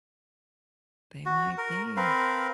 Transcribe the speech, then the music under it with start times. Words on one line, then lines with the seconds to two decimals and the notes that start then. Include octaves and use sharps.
They might be.
1.26 F#4
1.58 A#4
1.97 C4 A#4 B4 F5